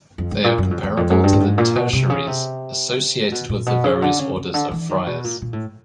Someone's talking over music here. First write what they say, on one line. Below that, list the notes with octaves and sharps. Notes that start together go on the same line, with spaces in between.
They are comparable to the tertiaries associated with the various Orders of friars.
F2
G#2
A#2
F#2
F2
E2
F2
F#2
G2
A2
G#2
A#2
B2
C3
C#3
C3
B2
A#2
B2
C#3
D3
C#3
C#3
D3
E3
D#3
B2
A#2
A#2
A2